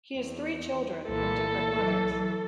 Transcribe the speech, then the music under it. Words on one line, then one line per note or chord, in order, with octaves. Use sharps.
He has three children from different mothers.
E2
C2 A#2 E3 A4
E3 F#3